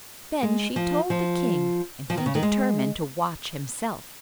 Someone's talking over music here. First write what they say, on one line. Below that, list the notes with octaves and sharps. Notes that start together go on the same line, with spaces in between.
Then she told the king, and he determined to watch himself.
G#3
F3
F3
F3
D#3
C#3
D#3
G#3